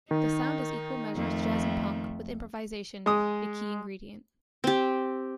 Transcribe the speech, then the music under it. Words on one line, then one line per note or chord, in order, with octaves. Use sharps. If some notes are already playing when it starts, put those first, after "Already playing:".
The sound is equal measures jazz and punk, with improvisation a key ingredient.
D#3 D#4
F2 A3
G#3 D#6
C4 G4